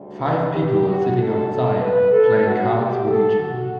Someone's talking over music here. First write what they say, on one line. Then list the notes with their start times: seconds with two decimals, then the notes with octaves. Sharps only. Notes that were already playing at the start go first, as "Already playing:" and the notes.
Five people are sitting outside playing cards with each other.
Already playing: D2 C#3 G3
0.23 B4
0.54 G4
0.86 F#4
1.17 D2 C#3 G3 A4
1.49 A4
1.80 B4
2.11 A4
2.43 E2 D3 G3 F#4
2.74 G4
3.06 A4
3.37 F#4